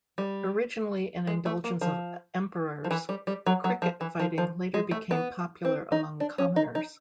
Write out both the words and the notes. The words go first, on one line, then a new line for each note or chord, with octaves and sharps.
Originally an indulgence of emperors, cricket fighting later became popular among commoners.
G3
G#3
A3
A#3
F3
F3
E3
G3
G3
F#3
F#3
F3
E3
F3
F3
G#3
A3
B3
C4
D#4
D4
C#4
D#4
D#4